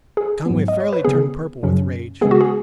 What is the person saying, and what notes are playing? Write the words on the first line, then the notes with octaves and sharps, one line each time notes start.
Conway fairly turned purple with rage.
G#4
G#2 F#3 B3
D#5
C#5
B4
C#3 B3 G#4
F#2 C#3 F#3 C#4
C#3 G#3 B3 G#4
F#4
G#4